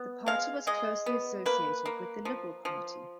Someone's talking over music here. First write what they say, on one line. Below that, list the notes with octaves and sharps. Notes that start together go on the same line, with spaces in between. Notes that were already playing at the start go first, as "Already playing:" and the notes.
The party was closely associated with the Liberal Party.
Already playing: B3
G#3 F5
G#3 D#5
B3
A#3 B4
A#3
F3
F3